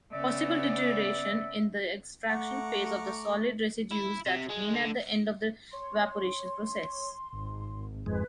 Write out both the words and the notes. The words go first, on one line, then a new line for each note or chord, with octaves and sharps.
Possible deterioration in the extraction phase of the solid residues that remain at the end of the evaporation process.
C#3 B3 D5 E5
A3 F#5 A#5 C#6 D6
E4
C3
G#3
D3
C#5 C6
G#1
F2 G#2 G#3 B4